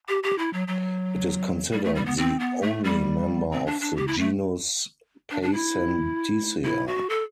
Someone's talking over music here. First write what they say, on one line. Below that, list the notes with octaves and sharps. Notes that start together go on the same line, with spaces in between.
It is considered the only member of the genus Paysandisia.
G4
G4
E4
F#3
F#3
G3
A3
G3
B3
C4
B3
A3
G3
C4
D4
D4
G4
E4
A3
D4
D4
E4
E4
F#4
A4